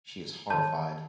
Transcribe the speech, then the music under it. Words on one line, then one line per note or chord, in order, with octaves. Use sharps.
She is horrified.
D#3 A5 G6